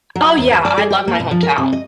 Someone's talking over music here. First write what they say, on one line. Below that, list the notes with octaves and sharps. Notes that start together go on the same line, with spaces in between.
Oh, yeah, I love my hometown,
F#3
D#2
D#2
D5
G#4
G4
A#3
B2
F3
A#4
C3
D#5